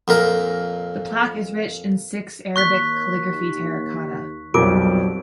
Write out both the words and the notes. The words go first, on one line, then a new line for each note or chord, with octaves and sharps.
The plaque is rich in six Arabic calligraphy terracotta.
F2 A#2 A#4
D#2 C#6 F#6 B6
B1 F2 F#3 G3 F4 A#4 D6 D7